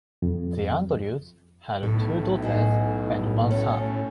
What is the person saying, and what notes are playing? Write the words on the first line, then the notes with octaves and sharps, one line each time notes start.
The Andrews had two daughters and one son.
F2
B1 A2 A4
D#4 F#4 G#4
C#4 A4